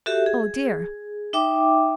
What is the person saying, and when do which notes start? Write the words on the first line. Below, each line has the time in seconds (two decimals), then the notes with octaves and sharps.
Oh, dear!
0.06 F#4 G4 A4 E5
0.26 G#4
1.33 D#4 E5 G5 D6